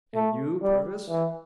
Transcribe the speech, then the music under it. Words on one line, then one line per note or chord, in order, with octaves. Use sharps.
"And you, Purvis?"
A3
G3
E3